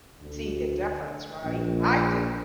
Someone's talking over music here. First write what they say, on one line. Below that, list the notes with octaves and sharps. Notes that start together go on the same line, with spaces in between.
see the difference, right? I didn't.
D2
A#1